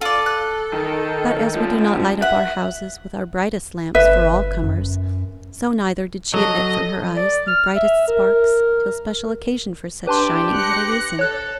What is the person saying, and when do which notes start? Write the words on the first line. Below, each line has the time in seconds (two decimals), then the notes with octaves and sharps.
But as we do not light up our houses with our brightest lamps for all comers, so neither did she emit from her eyes their brightest sparks till special occasion for such shining had arisen.
0.01 F4 A4 D5
0.26 F#6
0.73 D#3
1.55 G#2 F3
2.22 E5 F#5
3.95 G1 B4 E5
4.64 F#2
6.34 F#3 A4 D#5
7.16 D5
7.47 F6
7.76 E5
8.08 A#4
10.07 D4 G4 B4 A5 C6
10.55 F#6 A#6 C#7
11.19 A4 C#5 F#6